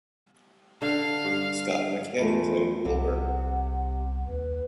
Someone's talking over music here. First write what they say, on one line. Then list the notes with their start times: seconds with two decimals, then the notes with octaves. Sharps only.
Scott McKay played Wilbur.
0.82 D3 F5
1.25 G2
2.18 E2 A3 F4
2.85 C2 C3 F#5
4.27 D#2 B4